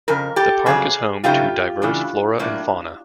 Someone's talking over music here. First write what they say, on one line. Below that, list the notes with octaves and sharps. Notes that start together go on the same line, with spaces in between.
The park is home to diverse flora and fauna.
F2 C#3 A#4
G4 A4
F2 C#3 F#3 B3 G#4
C#3 F#3 A3 C4 D#4 F4 G4
C#3 E3 A3 D4
A2 F#3 A#3 D4